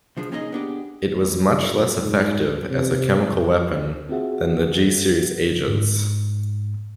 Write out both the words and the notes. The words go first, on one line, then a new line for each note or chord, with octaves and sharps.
It was much less effective as a chemical weapon than the G series agents.
C2 F3 D4 G#4
A#3 C#4 D#4 E4 G#4 D#5
B3 D4 G4 G#4
A1
F#1
G#2
C3
F2
C4 F4 F#4 G#4 E5 F#5
G#2